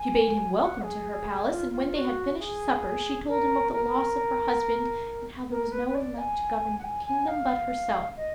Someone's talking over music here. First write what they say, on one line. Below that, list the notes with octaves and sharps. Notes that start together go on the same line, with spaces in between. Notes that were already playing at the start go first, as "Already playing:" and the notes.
She bade him welcome to her palace, and when they had finished supper she told him of the loss of her husband, and how there was no one left to govern the kingdom but herself.
Already playing: G#5
F#5
G#4
F4
F4
F#4
G#4
A#4
A#4
A#4
B4
B4
D5
G#5
F#5
G#5
G#5
F5
D#5